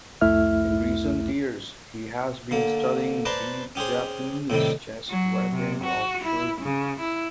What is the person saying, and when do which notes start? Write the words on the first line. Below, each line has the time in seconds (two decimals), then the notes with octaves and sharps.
In recent years, he has been studying the Japanese chess variant of shogi.
0.21 C2 F2 A3 E4 E5 F6
2.51 D3 A#3
3.25 B4 C5 D5 A5 A#5 C6
3.75 C#4 G4 G#4 C5
4.50 A2 C3 D#3 G3
5.09 F#3
5.52 C3
5.84 F#4
6.24 E4
6.61 C#3
7.00 E4